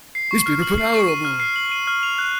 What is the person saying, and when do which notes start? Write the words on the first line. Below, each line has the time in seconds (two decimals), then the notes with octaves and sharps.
He's been up an hour or more.
0.15 C7
0.31 C#6
0.46 F6
0.62 F#7
0.78 C7
0.93 C#6
1.08 D#7
1.25 F6
1.40 C7
1.56 F#7
1.72 D#7
1.87 F6
2.03 F7
2.18 F#6